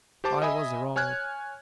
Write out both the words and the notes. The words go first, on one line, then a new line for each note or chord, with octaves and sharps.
I was wrong.
G4 C5 A5 D6
D#5 E5 G#5 B5 D#6
C#5 G#5 F6 F#6 G#6